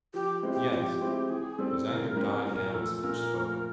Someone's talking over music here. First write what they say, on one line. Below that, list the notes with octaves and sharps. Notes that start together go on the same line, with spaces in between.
"Yes." His anger died down as Fitch spoke.
F3 G4
G#3 C4 E4
G4
F3 G4
G#3 C4 E4
E3 G#4
G3 C4 A4
E3 A#4
G3 C4
A#2 A#4
F3 A3 A4
A#2 A#4
F3 A3